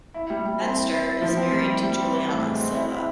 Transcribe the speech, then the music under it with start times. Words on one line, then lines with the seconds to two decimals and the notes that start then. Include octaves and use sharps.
Fenster is married to Juliana Silva.
0.14 E4
0.30 G3
0.45 G3
0.61 C4
0.76 E4
0.92 E4
1.07 E4
1.22 F3
1.37 C4
1.52 G3
1.68 E4
1.83 G3
1.98 C4
2.13 E3
2.29 A2
2.44 G#3
2.59 C4
2.75 E4
2.90 E4